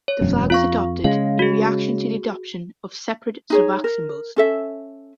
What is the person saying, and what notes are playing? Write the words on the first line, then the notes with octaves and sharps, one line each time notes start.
The flag was adopted in reaction to the adoption of separate Slovak symbols.
C#5
E1 F#2
F2 F4 F5 C#6
C#3 G#3 F5
F#4 G#4
D#4 G#4 C#5
A#4
C#4 A4 E5